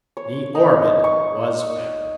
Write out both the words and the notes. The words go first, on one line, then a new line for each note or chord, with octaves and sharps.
The orbit was found.
C#5
D#4
C#6